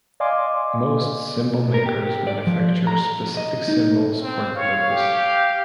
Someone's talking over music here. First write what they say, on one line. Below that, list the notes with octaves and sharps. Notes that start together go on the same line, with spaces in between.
Most cymbal makers manufacture specific cymbals for the purpose.
D5 D#5 F5 G#5 C6 D6
A#4
G4
D5
F3
A#5
D#5
D#4
C4
C#5 F5
G4